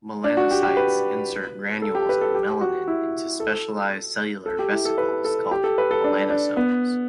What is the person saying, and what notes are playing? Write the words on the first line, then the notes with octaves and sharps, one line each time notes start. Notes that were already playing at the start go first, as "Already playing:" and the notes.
Melanocytes insert granules of melanin into specialized cellular vesicles called melanosomes.
D4
F#4
G4
G4
B4
A4
G4
B4
A4
G4
F#4
E4
A4
A4
G4
E4
A4
B4
A4
G4
A4
B4
A4
D4
D4
B3